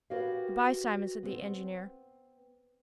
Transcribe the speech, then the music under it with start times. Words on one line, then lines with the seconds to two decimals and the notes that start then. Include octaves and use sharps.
"Good-by, Simon," said the engineer.
0.10 F#4 G4 A#4 B4 C#5 F5
1.23 B3 C4